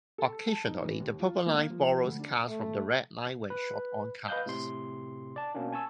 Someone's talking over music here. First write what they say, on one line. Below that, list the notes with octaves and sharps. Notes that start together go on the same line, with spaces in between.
Occasionally, the Purple Line borrows cars from the Red Line when short on cars.
A4
A5
D#4
E3
D#2
F4
A#3
F3
D2
D4
A3
B4
B4 D#5 F5 F#6 G6
A2 C3 C6
D5 A5
B2 A#3 C#4 D4
G#5 A5 C#6 E6